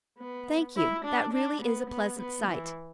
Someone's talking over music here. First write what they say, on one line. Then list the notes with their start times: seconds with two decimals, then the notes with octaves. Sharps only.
Thank you, that really is a pleasant sight.
0.19 B3
0.76 E4
1.05 D4
1.33 D4
1.62 B3
1.89 B3
2.19 B3
2.47 E3